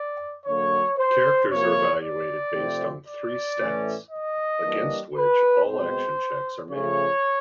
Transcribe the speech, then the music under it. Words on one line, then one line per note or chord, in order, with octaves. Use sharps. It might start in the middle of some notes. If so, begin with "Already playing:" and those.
Characters are evaluated based on three "Stats", against which all action checks are made.
Already playing: D5
D3 F#3 A#3 C#5
C5
C3 F3 A#3 C#5
D5
C3 F3 A3 C4
D5
A2 E3 A3 C#4
D#5
E3 G3 A#3 D4
B4
B2 G#3 C4 C5
C#3 F3 A3 C#4 C#5